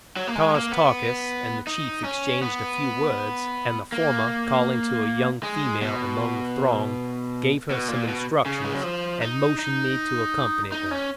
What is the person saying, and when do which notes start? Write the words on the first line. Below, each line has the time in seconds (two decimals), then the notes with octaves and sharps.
Tars Tarkas and the chief exchanged a few words, and the former, calling to a young female among the throng, gave her some instructions and motioned me to accompany her.
0.16 F#3
0.27 A#3
0.35 G#3
0.54 A#3
0.72 B3
1.67 D#4
2.04 C#4
2.42 B3
3.92 A#3
5.43 G#3
5.82 B2
7.71 B2
7.88 A#2
8.08 B2
8.46 C#3
8.65 G#3
8.74 F#3
8.84 F3
9.22 D#4
9.59 D#4
10.72 D#4
10.91 C#4